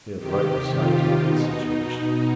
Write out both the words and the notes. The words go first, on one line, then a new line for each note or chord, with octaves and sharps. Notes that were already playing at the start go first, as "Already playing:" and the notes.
He had rightly sized up the situation.
C3 D#3 G4
F4
B2 D#4